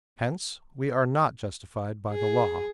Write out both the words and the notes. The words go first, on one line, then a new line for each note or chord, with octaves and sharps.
Hence, we are not justified by the Law.
G#4